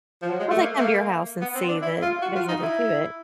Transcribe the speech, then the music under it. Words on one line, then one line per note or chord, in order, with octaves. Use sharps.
Well, they come to your house and see that there's nothing to it.
F3
F#3
G#3
A3
A#3
A3
A#3
B3
C4
D4
E4
F4
F#4
F4
D#4
E4